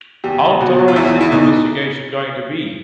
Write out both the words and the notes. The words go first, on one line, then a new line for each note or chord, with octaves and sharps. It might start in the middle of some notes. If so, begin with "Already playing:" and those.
How thorough is this investigation going to be?
E2 G4
E2
B2 F#4
B2
F4
E2 E4
E2
E4
B2 D#4